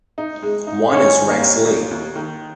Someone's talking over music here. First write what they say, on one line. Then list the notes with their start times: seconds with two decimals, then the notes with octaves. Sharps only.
One is Rex Lee.
0.18 D#4
0.42 G#3
0.67 D#4
0.92 D#3 C#4
1.17 D#3
1.29 A#3
1.42 D#2
1.66 D#4
1.91 D#2
2.16 D#3